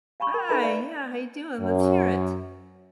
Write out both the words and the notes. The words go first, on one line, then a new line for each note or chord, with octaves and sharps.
Hi, yeah, how you doing? Let's hear it.
F5 A5 B5 C#6
A#4 G5
D#4 A4 B4 E5 A#5 B5
D5 E5 F5 A5
F#2